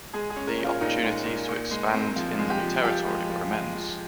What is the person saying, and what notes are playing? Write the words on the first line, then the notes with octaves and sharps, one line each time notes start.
The opportunities to expand in the new territory were immense.
G#3 G#4
G#4
C#4
A#4
A#2
F4
A#2 D#4
G#3
A#2
A#2
G#3
C4
F3 F4
G#3
G4
F3
F3 G4
G#3
F3
G#3
F3